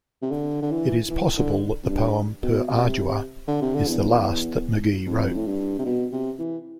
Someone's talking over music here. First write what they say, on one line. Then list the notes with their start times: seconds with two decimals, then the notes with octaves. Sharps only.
It is possible that the poem, "Per Ardua", is the last that Magee wrote.
0.22 C3
0.31 D3
0.62 D3
0.71 E3
1.10 E3
1.38 D3
1.83 F2
1.89 G2
2.43 B2
2.69 C3
3.48 D3
3.62 C3
3.74 D3
3.87 E2
5.06 F2
5.35 A2
5.46 G2
5.79 C3
5.85 B2
6.13 C3
6.39 E3